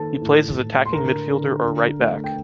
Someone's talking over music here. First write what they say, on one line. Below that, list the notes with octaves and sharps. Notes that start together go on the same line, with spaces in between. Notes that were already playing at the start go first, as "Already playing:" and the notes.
He plays as attacking midfielder or right back.
Already playing: D#3 A#3 A4 A5
A2
A2
C6
D3 A#4 A#5
D3
D3
A3
G5